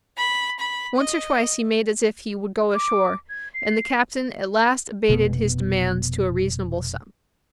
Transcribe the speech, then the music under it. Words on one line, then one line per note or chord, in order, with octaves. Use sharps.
Once or twice he made as if he would go ashore, and the captain at last abated his demands to a reasonable sum.
B5
B5
D#5
D6
G#6
C7
F1 B2 B3